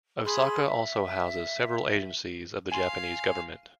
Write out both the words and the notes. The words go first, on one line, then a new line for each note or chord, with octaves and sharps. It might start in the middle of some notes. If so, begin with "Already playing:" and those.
Osaka also houses several agencies of the Japanese Government.
G#4 B5 C6
E5
F5 G#5 C6